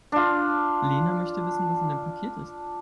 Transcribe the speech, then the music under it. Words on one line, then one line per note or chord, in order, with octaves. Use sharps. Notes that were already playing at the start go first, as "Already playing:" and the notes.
Lena möchte wissen, was in dem Paket ist.
D4 F4